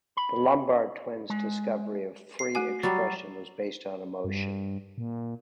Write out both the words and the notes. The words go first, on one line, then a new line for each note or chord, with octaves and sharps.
The Lombard Twins’ discovery of "Free Expression" was based on emotion.
B5
G#3
C7
A3 F#4 G#5
F#3 G3 A6
G2
A#2